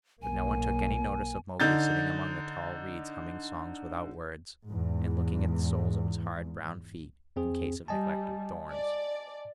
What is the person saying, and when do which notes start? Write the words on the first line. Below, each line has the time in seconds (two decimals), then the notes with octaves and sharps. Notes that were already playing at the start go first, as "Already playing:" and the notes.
But no one took any notice of Mowgli sitting among the tall reeds humming songs without words, and looking at the soles of his hard brown feet in case of neglected thorns.
0.22 B1 A#3 G#5
1.60 D3 D#4 G6 A6
4.67 E2 G#2
7.36 F2 C4 G#4
7.88 G3 D#5 G#5 A5
8.71 D5